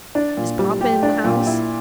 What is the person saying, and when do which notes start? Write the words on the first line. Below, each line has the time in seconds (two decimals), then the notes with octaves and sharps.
"Is papa in the house?"
0.15 D4
0.37 A#2
0.59 G3
0.81 G4
1.03 D4
1.24 A#2
1.46 E4